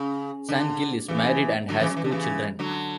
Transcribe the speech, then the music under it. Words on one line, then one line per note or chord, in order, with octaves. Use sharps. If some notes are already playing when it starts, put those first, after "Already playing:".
San Gil is married and has two children.
Already playing: C#3
D3
C#3 E3
D3 F#3
C#3 E3
F#3
E3
D3
C#3 E3
D3 F#3